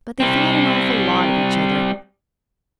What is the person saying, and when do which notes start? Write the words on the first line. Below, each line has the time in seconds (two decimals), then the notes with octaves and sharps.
But they thought an awful lot of each other.
0.20 G3 C4